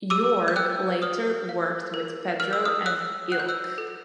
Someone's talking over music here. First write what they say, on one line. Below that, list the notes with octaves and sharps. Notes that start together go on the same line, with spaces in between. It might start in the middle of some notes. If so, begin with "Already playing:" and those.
Jorge later worked with Pedro at Elche.
G4 D6 E6
G6
G5 E6 F#6
B4 D#6 F6
F5
A#4
A#4 F6
E6
D#6 F6
C#5 E6 F#6
F#5 F#6
G6
E6 F#6
A4